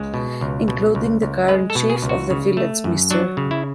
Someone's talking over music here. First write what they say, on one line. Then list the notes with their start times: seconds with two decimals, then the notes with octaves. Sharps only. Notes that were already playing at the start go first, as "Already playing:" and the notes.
Including the current chief of the village Mr.
Already playing: C#2 G#3
0.14 B2
0.41 C#2
0.68 B2
0.95 C#2
1.22 C#2
1.48 G#3 B4
1.70 A4
1.75 B2
1.90 G#4
2.02 C#2
2.09 F#4
2.30 C#3
2.57 A3
2.84 F#2
3.11 F#3 D4
3.37 C#3
3.51 E4